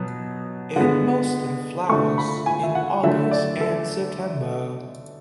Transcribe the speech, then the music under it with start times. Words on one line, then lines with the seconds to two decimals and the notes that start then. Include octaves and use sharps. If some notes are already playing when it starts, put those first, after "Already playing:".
It mostly flowers in August and September.
Already playing: B2 F#3 B3
0.76 D3 G#3 B3 F#5
1.89 D3 A3 C#6
2.18 B5
2.46 G#5
2.63 E5
2.75 F#5
3.03 D3 F#3 A3 E5
3.31 D5
3.61 A4